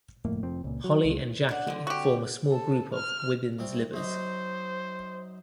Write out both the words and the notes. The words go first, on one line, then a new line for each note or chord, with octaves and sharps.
Holly and Jackie form a small group of "women's libbers".
G1 F2 A2 A#3
F1 F2 C4
C#2 A#2
F#3
C#2
D4 F#5
D3 C4
F#4 G4
A4
F6
C2 C4
F#2 D#4 C5